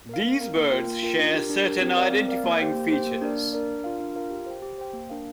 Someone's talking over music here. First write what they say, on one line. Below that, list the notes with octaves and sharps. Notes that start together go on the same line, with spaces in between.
These birds share certain identifying features.
A#4 F5
C4
A#4 F5
A#3
F4 A#4 G5
A#3
F4 A#4 G5
D4
G4 A#4
D4
G4 A#4
C4
A#4 D5 F5
C4
A#4 D5 F5
A#3
G4 C5 G5
A#3
G4 C5 G5
A#3
D4 A#4 D5
A#3
D4 A#4 D5
D4
F4 A#4 F5
D4
F4 A#4 F5
G4
C5 G5
G4
C5 G5
A#3
D4 A#4 F5